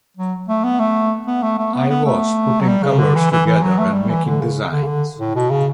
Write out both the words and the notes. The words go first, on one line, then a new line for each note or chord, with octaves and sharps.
I was putting colors together and making designs.
F#3
A3
B3
A3
B3
A3
A3
B3
B3
A3
F#3
G3
C#3
D3
E3
E3
E3
F#3
A3
G3
E3
D3
C#3
D3
C#3
D3
A2
B2
C#3